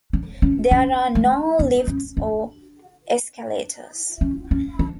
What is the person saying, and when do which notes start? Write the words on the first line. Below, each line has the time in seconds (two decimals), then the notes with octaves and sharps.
There are no lifts or escalators.
0.13 D4
0.42 C#4
0.71 C#4
1.15 A3
1.59 B3
1.87 C#4
2.17 D4
4.21 C#4
4.51 C#4
4.79 D4